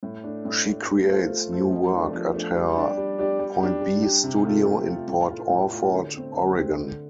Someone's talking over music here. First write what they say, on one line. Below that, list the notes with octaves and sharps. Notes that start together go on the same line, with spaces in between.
She creates new work at her Point B Studio in Port Orford, Oregon.
A2
A3 D4
A2
A3 D4
A3
F4 A4 C5
A3
F4 A4 C5
F3
A3 D4
F3
A3 D4
G3
D4 G4 D5
G3
D4 G4 D5
G3
D4 G4
G3
D4 G4
C3
A3 F4 A4
C3
A3 F4 A4
A2
A3 F4
A2
A3 F4
D3
A3 C4
D3
A3 C4
D3